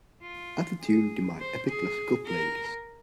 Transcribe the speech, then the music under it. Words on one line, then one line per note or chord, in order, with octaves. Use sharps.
Add the tune to my Epic Classical playlist.
F4
G#4
C5
G#4
A#4